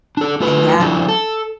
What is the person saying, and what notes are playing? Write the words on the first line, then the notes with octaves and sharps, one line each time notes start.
And that
D4 A4
A3 F4 B4
F3 D4 E4
A4